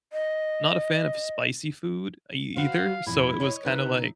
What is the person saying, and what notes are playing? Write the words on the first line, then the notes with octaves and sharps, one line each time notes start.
not a fan of spicy food e either, so it was kinda like,
D#5
F#4 B4 C5 F5
F2 A#2 E4
C#5 D#5
C#3 D#4 E4 B4